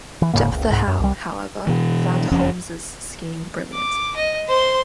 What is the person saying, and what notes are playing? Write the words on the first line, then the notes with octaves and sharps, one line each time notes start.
Jeptha Howe, however, found Holmes' scheme brilliant.
E3
D1 G#2 C#3 A#3
F#1 C#2
C2 G#2
F#2
C2 G3
B2 E3
F#1 F2 F3 C#4
D6
D#5
C5 C6